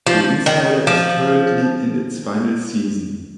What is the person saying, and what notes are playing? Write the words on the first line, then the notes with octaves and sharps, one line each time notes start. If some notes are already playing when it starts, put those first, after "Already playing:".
"The Insider" is currently in its final season.
F3
D#3
F3